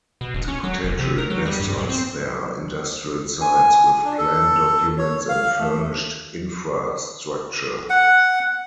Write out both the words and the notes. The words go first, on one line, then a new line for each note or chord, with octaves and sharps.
To potential investors there are industrial sites, with plan documents and furnished infrastructure.
B2
D1
C#4
F#3
F1
C3
A#4
F#3
G3
G2
G#2
C4
G#5
D4
A4
C#5
F5
A3
F#5